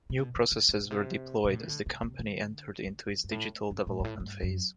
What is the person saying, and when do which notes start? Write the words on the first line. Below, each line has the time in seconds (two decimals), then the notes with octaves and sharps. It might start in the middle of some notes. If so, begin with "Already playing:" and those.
New processes were deployed as the company entered into its digital development phase.
0.10 C3
0.18 B2
0.35 D3
0.52 D3
0.69 C3
0.80 B2
0.91 C3
1.44 B2
1.52 A2
1.64 E3
1.69 D3
1.86 C3
2.03 C3
2.19 D3
2.86 D3
3.08 E3
3.24 G2
3.31 A2
3.71 F#2
3.87 A2
4.00 G2
4.04 A2
4.20 G2
4.43 F#2